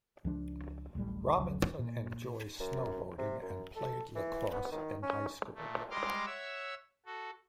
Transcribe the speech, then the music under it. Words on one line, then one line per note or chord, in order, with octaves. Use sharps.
Robinson enjoys snowboarding and played lacrosse in high school.
C#2 F3 D4
D1 A1 A2 G3
F1 C#2 F#3
A#2
F#2
C3
F#2
A4
E3
B3
D#3
C#4
A#2 A3
G3 G#3 A#5 C6 D6 F6
C#5 E5 F#5 E6
F#4 A4